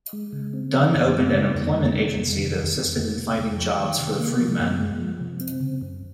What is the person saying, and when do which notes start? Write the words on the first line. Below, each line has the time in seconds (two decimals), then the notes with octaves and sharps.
Dunn opened an employment agency that assisted in finding jobs for the freedmen.
0.13 G#3
0.33 C#3
0.53 C4
0.74 F3
0.94 F#2
1.14 G#3
1.34 C#3
1.55 F2
1.75 G#3
1.95 C3
2.16 F2
2.36 D#3
2.56 D#3
2.76 F2
2.96 A#3
3.18 C3
3.38 F2
3.57 F3
3.78 D#3
3.99 C3
4.19 A#3
4.39 F3
4.60 F#2
4.80 G#3
5.00 F3
5.20 C3
5.41 C4
5.60 C#3
5.81 F#2